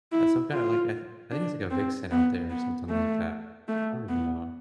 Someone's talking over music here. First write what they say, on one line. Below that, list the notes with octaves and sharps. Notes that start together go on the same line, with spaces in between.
like, some kinda, like, I I think it's like a vixen out there or something like that. I don't even know.
E4
F4
D4
C4
B3
B3
A3
A3
B3